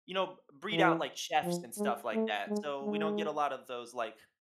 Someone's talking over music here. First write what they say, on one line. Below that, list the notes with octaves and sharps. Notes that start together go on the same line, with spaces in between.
you know, b breed out, like, chefs and stuff like that. So we don't get a lot of those, like,
E3
F3
G#3
A3
G#3
G#3